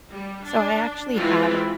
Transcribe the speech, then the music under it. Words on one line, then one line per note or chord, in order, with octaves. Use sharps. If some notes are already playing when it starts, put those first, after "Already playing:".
So I actually have
G3
D4
E3 G#3 C4 E4 F4